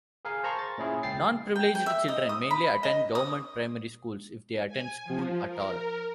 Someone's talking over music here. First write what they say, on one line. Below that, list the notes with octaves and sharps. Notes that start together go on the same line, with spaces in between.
Non-privileged children mainly attend government primary schools, if they attend school at all.
G#4 A#4 F5 G#5
C5 A5 A#5 C6 C#6
A6
A#2 C#4 E4 G#4
C#2 G5 A6 C7
G5
G5
E5
D#5
D#6
B5
D#5
D#6
G#5
F3
A#4